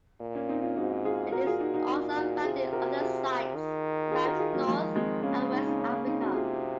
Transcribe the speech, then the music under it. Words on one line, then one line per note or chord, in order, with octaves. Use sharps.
It is also found in other sites around North and West Africa.
A#2
A#3 C#4
C4 D#4
C#4 F4
G#2 D#4 F#4
F4 G#4
A#2 F#4 A#4
F4 G#4
D#4 F#4
D#4 F#4
D#4 F#4
D#4 F#4
C3 F4 G#4
F#4 A#4
F4 G#4
D#3
F4 G#4
F#4 A#4
F4 G#4
F#3 A#3
D#3 F3 G#3
G#3 C4
C#3 A#3 C#4
D#4
C#4
C4 D#4
A#3 C#4
A#3 C#4
C4 D#4
D#4 F#4
C3 F4 G#4